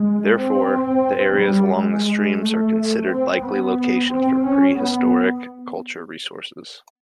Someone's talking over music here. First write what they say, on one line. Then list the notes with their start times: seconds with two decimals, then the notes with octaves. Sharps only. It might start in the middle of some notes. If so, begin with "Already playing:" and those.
Therefore, the areas along streams are considered likely locations for prehistoric cultural resources.
Already playing: G#3
0.37 C4
1.38 G3
1.72 G#3
2.06 G#3
2.41 A3
3.09 C4
3.43 B3
4.11 C4
4.45 C#4
4.79 B3